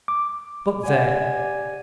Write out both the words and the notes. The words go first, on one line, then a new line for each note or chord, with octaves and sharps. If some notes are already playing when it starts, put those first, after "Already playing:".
But there!
D6
G4 D5 F#5 G#5